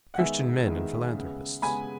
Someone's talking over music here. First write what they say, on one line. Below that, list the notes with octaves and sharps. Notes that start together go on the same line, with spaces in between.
Christian men and philanthropists!
F#5
D#3 G#3 B3 E5 G#5
D#3 G#3 B3
C#3 G#3 B3
C#3 G#3 B3 G#5 B5